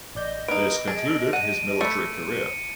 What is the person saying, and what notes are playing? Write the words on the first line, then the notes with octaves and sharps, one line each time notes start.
This concluded his military career.
A1 D5 D#5 G6
A#3 D#4 B4 D7
G#4 A5
F#5 D#7
A3 B4 C#7